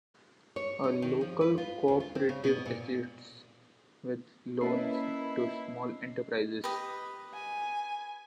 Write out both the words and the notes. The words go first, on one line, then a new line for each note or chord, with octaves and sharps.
A local cooperative assists with loans to small enterprises.
C#5
C#4
D#3
F3
B4
F4
D2
F4
C4
C#3
B2
A#2
A#3 C#4 E4 A#4 B4 D#5 A5 C7
G4 B4 D#5
G#5